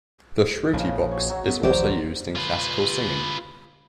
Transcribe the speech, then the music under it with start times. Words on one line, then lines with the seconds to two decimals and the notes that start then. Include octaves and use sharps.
The shruti box is also used in classical singing.
0.73 A#1 C#3 F3 D#5
1.11 F#4 C#5
1.29 F#3
1.48 B3
1.63 E1 B1 E3 C5 D5 C6
2.36 F4 B4